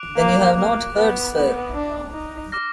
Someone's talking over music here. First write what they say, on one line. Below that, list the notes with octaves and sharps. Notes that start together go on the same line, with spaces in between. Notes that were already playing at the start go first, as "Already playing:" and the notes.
Then you have not heard, sir?
Already playing: D6 F#6 D7 F7
A#3
A#3
B3
B3
D4
D#4
D6 F6 A#6